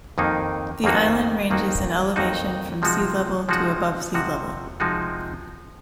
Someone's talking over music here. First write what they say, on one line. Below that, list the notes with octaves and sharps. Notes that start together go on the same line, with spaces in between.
The island ranges in elevation from sea level to above sea level.
F2 D#3 A#3 D#4 F#4
F2 D#3 A#3 D#4 F#4
F2 D#3 A#3 D#4 F#4
F2 D#3 A#3 D#4 F#4
C3 F3 G#3 D#4 F#4
C3 F3 G#3 D#4 F#4
C3 F3 G#3 D#4 F#4
C3 F3 G#3 D#4 F#4